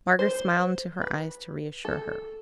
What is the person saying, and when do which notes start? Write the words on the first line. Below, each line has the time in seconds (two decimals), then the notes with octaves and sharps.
Margaret smiled into her eyes to re-assure her.
0.19 C5
1.02 B4
1.85 A4